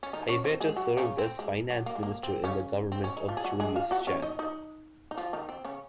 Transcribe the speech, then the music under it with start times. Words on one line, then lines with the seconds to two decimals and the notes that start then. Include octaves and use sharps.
Haiveta served as finance minister in the government of Julius Chan.
0.03 C#4
0.13 D#3 D#4
0.29 C#4 C#5
0.44 C4 C5
0.61 G#3 G#4
0.76 F#3 F#4
0.97 C#3 C#4
1.18 C4
1.39 G#3
1.70 F#3
1.86 A#3
1.95 G#3
2.03 A#3
2.23 C4
2.44 C#3 C#4
2.92 C4
3.04 C#4
3.17 D#4
3.28 F3 F4
3.37 G#4
3.44 F#3 F#4
3.60 G#3 G#4
3.76 F4 F5
3.91 F#4 F#5
4.07 C#4 C#5
4.22 D#4 D#5
4.39 D#4 D#5
5.11 D#4
5.18 F3 F4
5.33 D#3 D#4
5.49 C4
5.65 C#3 C#4